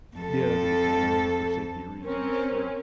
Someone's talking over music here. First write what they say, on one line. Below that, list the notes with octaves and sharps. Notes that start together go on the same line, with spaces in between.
Yeah, that's a good point, I mean, for safety reasons, sure.
F2 A4
C4 C#4 A#4